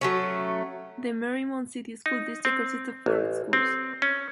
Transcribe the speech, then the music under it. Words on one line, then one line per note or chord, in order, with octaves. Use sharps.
The Mariemont City School District consists of four schools.
F#3 A3 C#4
D#4
C4
A1
C4
C#4